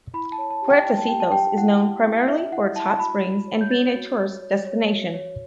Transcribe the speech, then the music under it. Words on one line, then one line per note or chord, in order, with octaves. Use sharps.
Puertecitos is known primarily for its hot springs and being a tourist destination.
E4 B5
A5
C#5
A5
G4
G5
E4 G5
A5
G4 G5
A5
G4 G5
E4 F#5
G4
E4
E4 E5
E4 F#5
E4 A5
A5
F#4 B5
F#4
C#5
G6
C#5 A6
F#4
C#5
C#5
C#5
F#4
C#5